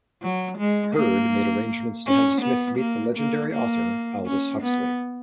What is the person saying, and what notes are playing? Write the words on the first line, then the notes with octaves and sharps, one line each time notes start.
Heard made arrangements to have Smith meet the legendary author Aldous Huxley.
F#3
G#3
A#3
C#4
B3
A#3
A#3
A#3
C#4
B3